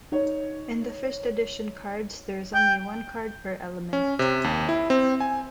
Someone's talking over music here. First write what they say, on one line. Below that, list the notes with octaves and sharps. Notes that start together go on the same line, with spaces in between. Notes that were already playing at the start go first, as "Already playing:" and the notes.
In the first edition cards there is only one card per element.
D#4 C#5
G5
C#4
C3
D#2
E4
C4
G#5